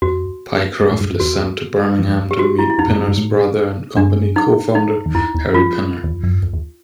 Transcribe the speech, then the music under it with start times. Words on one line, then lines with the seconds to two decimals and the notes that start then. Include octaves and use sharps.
Pycroft is sent to Birmingham to meet Pinner's brother and company co-founder, Harry Pinner.
0.02 F2 F#4
0.81 G#2
0.91 A2
1.01 G#2
1.10 F#2
1.20 E2 F#4
1.99 F2
2.31 G4
2.39 F#4
2.59 E4
2.70 E4
2.78 F2 D#4
2.88 F#2
2.99 G2
3.08 G#2
3.17 A2
3.97 G2 D4
4.36 D#4
4.75 D#4
5.06 E2
5.15 F2 E4
5.35 E2
5.54 F2 F4
6.04 E2
6.13 F2
6.23 F#2
6.34 G2
6.43 F2
6.53 E2